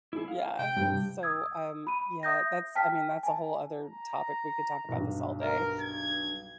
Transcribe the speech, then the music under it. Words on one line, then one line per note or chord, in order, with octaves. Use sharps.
Yeah, so, um, yeah, that's I mean, that's a whole other topic, we could talk about this all day,
E4 G#4
F5
C3 G5
G2
D#6 E6 G#6
B5 D#7
E5 D#6 G6 A#6
G5 A5 F6 B6
G#5 A5
A#5
B1 G2
A#4
G#6